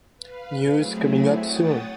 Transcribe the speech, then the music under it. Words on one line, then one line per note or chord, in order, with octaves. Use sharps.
News coming up soon.
B4 F5
F#3 A3 C4 E4 G#4
C#5 F#5 G5 D#6 A6